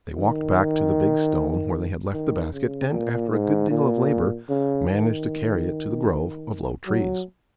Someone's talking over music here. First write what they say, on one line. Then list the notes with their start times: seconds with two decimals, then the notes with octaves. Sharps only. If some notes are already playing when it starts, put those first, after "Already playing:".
They walked back to the big stone where they had left the basket, and after a good deal of labor managed to carry it to the grove of low trees.
0.16 D#3
2.13 D#3
2.52 C#3
2.92 A#2
3.31 G#2
3.71 A#2
4.49 C#3
4.90 D#3
6.87 F#3